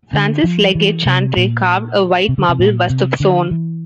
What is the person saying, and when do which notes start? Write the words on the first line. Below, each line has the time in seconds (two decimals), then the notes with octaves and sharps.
Francis Leggatt Chantrey carved a white marble bust of Soane.
0.13 D3
0.44 F3
0.75 E3
1.06 C3
1.37 A#2
2.29 C3
2.38 D3
2.49 C3
2.59 A#2
2.90 C3
3.20 D3
3.51 E3